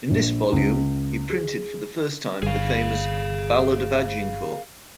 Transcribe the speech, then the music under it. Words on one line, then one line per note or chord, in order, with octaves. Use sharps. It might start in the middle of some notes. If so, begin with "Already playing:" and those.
In this volume he printed for the first time the famous "Ballad of Agincourt".
A#1
C#2
G#4
G1 G#4 F5